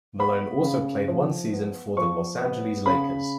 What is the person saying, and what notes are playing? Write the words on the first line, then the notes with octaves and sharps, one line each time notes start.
Malone also played one season for the Los Angeles Lakers.
B3 B5
C#3
F3
B3
F3 C#6
B3
C#3 B5